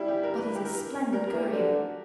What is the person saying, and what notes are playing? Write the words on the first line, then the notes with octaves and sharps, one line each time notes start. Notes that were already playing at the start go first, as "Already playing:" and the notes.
But he's a splendid courier.
Already playing: G3 E4
G4
A#4
B4
A#4
G4
A#4
G3 A#4
A#4
E3
G4
D3 F#4